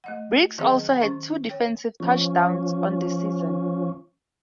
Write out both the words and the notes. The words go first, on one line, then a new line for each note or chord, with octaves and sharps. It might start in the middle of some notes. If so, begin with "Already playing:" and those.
Briggs also had two defensive touchdowns on the season.
A3 D#5 F#5
D#3 F#3 C4 G#4 D#5 A#5
D#3 C#4 C#6
C#5 G5
F3 C#4